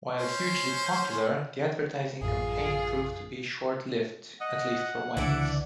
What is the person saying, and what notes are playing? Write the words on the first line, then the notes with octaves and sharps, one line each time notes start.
While hugely popular, the advertising campaign proved to be short-lived, at least for Wendy's.
C#4 C5
A1 F#2 F4 G#4
D#5 F#5
C#2 D3 E3 D4 E4